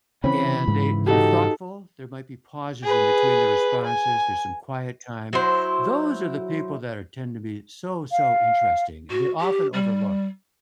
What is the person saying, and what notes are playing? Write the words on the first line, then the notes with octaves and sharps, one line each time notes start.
And they they're thoughtful, there might be pauses in-between their responses, there's some quiet time, those are the people that are tend to be so, so interesting, and they're often overlooked.
C#3 E3 C4 C#4 B5
G#2
D#4 F#4 G4 A4
G#4 B4
G#5
F#3 E4 C5
F5
F#4
G4
G3